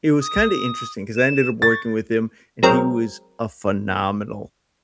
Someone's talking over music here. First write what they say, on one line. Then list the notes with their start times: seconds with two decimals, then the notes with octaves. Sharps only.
it was, kinda, interesting 'cause I ended up working with him, and he was a phenomenal
0.21 D#6
1.16 E7
1.62 C#6 A6
2.63 F#3 G#3 C4 A#4